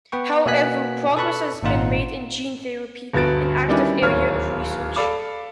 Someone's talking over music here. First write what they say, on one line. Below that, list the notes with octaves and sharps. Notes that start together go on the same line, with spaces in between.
However, progress has been made in gene therapy, an active area of research.
B3 B4 G5 C#6
B2 A#3 B3 G#5 F#6 B6
A4 B4 A5 B5 C#6 F#6
G#1 A#2 D#4 F4 F#5
G1 D2 B3 F#4 A6 D7
D#3 G3 B3 C#4 D4 E4
D1 D#2 A#3 C#5 F6
A4 D5 F5 B5 D6